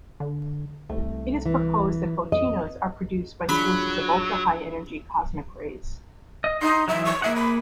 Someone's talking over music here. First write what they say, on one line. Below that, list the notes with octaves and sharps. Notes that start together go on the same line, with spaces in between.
It is proposed that photinos are produced by sources of ultra-high-energy cosmic rays.
D3
C2 A3
E3
F2 D#5
F#3 D4 F4 G#4 B5
D#5
D#4 C6
E3 F#3 E5
C#6
A#3 G#4 E5 F#5
B5